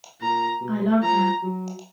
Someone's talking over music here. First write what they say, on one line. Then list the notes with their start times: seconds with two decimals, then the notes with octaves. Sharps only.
I love her.
0.21 A#2 A#5
0.61 B2
1.02 F3 A#5
1.43 F#3